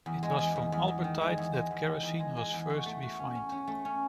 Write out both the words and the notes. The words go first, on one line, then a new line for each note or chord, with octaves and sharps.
It was from Albertite that kerosene was first refined.
E2
G#3
E2
E2
E2
E2
D#3
G#3
E2
G#3
E2
D#3
E2
G#3
G#3
E2
F#4
A3
F#4
C#4
C#4
C#4
A3
C#4